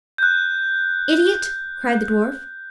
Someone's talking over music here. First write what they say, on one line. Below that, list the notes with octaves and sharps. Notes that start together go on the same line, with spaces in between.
"Idiot!" cried the dwarf.
F#6 G6